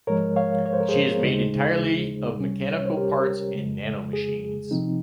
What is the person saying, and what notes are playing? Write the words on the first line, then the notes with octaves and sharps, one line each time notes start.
She is made entirely of mechanical parts and nanomachines.
G#2 F3 G#3 A#4 C#5
C#5 F5
C#5
C5
A#4
G#4 C5
D#2 C#3 G#3 D#4
C2 C3 G3 C#4
C#5
C5
G4 A#4
F2 C#3 G#3
G#4
C3 F3 C4 D#4